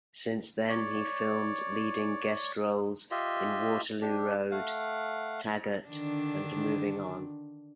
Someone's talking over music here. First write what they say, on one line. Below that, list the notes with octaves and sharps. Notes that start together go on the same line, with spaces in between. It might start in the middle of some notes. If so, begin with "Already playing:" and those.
Since then he filmed leading guest roles in "Waterloo Road", "Taggart" and "Moving On".
C#5 D5
F4 G4 D#5 E5
D4 G4
A3 F5 F#5
D3 D#3 D4